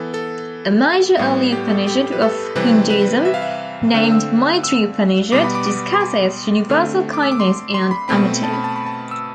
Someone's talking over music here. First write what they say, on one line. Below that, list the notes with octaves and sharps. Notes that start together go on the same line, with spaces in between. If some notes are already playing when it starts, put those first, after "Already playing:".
A major early Upanishad of Hinduism, named Maitri Upanishad, discusses universal kindness and amity.
Already playing: E3 B3 A4
A4
A2 G3 B3
G4
A4
G4
B4
A4
C3 E3 G3 C4 B4
B4
E5
F5
E5
D3 A3 C4 F5
E6
E6
B2 G3 B3 D6
B5
D6
D6
C6
D6
D3 A3 C4 F6
D6
E6
D6
C6
C6
B5
B2 A3 C4 B5
A5
B5
A5
B5
A5
E6